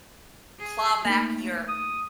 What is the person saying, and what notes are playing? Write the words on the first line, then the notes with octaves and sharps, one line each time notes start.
claw back your
G#4
A3 A#3 D#4
D#6